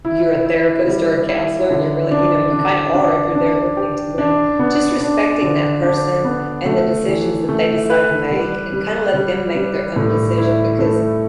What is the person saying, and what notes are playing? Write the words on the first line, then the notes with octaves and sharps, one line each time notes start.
you're a therapist or a counselor and you really you know, you kind of are if you're there listening to them. Just respecting that person and the decisions that they decide to make and kinda let them make their own decision because
E4
E4
G3
E4
D3
D4
D4
D4
D4
G4
D4
B3
D4
D3
D4
B3
A3
E3
A3
B4
G3
G3
G3
G3
A2
E4
A3